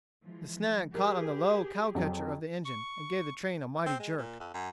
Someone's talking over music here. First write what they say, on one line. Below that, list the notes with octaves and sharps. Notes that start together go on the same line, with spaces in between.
The snag caught on the low cow-catcher of the engine and gave the train a mighty jerk.
E3 F3 G#3
G4 G#4 A#4
F2 F#3
C#6
C4
G#3
A#2
F2
F#2